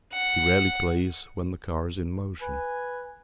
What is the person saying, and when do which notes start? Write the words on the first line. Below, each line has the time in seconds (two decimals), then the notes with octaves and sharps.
He rarely plays when the car is in motion.
0.13 F#5
2.42 B4 G#5